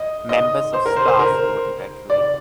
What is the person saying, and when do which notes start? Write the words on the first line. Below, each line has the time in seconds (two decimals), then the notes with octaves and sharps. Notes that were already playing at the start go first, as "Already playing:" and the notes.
Members of staff were evacuated.
Already playing: D#5
0.29 D#5
0.73 C5
0.86 A#4
0.96 C5
1.08 C5
1.19 A#4
2.10 D5